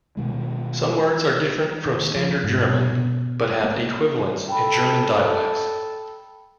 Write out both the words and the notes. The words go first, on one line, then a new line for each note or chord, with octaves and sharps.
Some words are different from Standard German but have equivalents in German dialects.
B2 D#3 G#3
D#3
F3
G#2
B2
B2
A#3
A4 G5 A5 B5